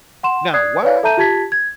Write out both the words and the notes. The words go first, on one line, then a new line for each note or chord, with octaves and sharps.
Now, why
F#5 C6 E7
D5 D#6 F#6 G#6 C7
B4 C#5 D5 F5
A4 E5 A5 A#5 G6 D#7
F4 G4 A5 G#6 A6 B6
G#6